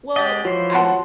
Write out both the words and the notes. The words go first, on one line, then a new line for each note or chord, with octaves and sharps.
Well, I
G#3 G4 D#5 F#5 A6
E3 F3 F4 F#4 C5 C#5
F#5 A5 C6